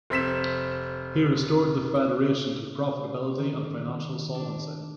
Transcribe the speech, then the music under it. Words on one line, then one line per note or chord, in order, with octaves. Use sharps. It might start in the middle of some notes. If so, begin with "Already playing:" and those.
He restored the federation to profitability and financial solvency.
F1 C4 B6 E7
D#3
D4